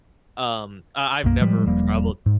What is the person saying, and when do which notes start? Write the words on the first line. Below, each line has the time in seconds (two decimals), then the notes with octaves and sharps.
Um, I I've never traveled
1.24 B1 F#2 A#3
1.41 A2 F3 G3 G#3
1.66 E1 F3 G3 A#3
2.26 G#2